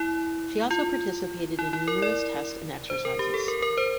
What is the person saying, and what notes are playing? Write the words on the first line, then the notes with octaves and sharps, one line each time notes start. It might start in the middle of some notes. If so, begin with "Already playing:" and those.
She also participated in numerous tests and exercises.
Already playing: E4
F4
E4
E4
A#4
D5
C5
A#4
G4
A4
A#4
A#4
C5